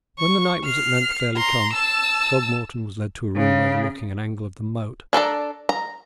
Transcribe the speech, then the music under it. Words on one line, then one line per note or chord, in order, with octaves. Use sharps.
When the night was at length fairly come, Throgmorton was led to a room overlooking an angle of the moat.
C#6
F6 C7
A#5 C6
A5 E6
C#3
D4 A4 D5 A#5
A#5